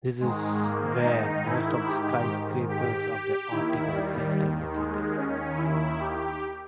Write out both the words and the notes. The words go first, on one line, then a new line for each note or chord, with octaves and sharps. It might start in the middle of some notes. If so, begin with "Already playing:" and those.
This is where most of skyscrapers of Ortigas Center located.
G#2 D#3 G#3
A#3
D#4
E4
G4
G4
G4
D#2 D#3 E4
G3
G#3
C#4
E4
G4